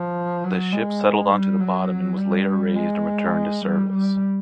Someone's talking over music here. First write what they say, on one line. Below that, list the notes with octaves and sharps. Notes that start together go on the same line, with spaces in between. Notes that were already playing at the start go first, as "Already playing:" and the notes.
The ship settled onto the bottom and was later raised and returned to service.
Already playing: F3
F#3
G#3
G3
F#3
G3
G#3
G3
G3